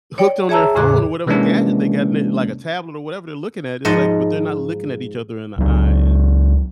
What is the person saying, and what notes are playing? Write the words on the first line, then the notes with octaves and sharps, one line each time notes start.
hooked on their phone or whatever gadget they got, l like a tablet or whatever they're looking at, it's like but they're not looking at each other in the eye and,
C#5 D5 G5
G#4 C#5 E5 A5 A#5 E6
E2 A2 C#3 G#4 D6 F#6
C3 E3 G#3 A#3 C#4 D4
G#2 F3 D#5 F#5 C6
C#2 F#3